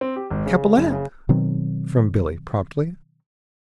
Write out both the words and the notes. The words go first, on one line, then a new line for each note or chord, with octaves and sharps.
"Capellette," from Billie promptly.
C4
G4
G#1
C#3
F#1
C#3
B2 D#3 F#3 C4